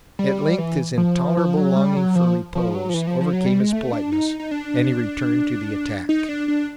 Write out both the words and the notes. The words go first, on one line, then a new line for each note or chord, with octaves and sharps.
At length his intolerable longing for repose overcame his politeness and he returned to the attack.
G3
E3
F3
F3
F#3
G3
F#3
F3
F3
F#3
F3
E3
F3
F3
F#3
G3
G#3
A3
D4
D#4
D#4
D4
D#4
D4
D4